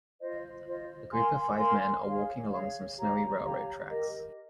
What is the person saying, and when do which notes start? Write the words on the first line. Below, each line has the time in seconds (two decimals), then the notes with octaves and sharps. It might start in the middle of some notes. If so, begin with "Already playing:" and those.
A group of five men are walking along some snowy railroad tracks.
0.20 F4 C5 D#5
0.65 F4 C5 D#5
1.12 A#4 F5 G#5 C6
1.57 A#4 F5 G#5 C6
2.03 G#4 C#5 F5
2.51 G#4 C#5 F5
2.97 G4 C#5 F5 A#5
3.42 G4 C#5 F5 A#5
3.88 G4 A#4 D#5